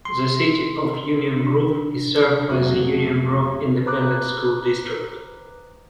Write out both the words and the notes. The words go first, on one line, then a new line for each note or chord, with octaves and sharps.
The City of Union Grove is served by the Union Grove Independent School District.
C6
D4
F2 F#3 A3 A#3 F#4 G#4
B4 C5 A#5 D6 D#6 F#6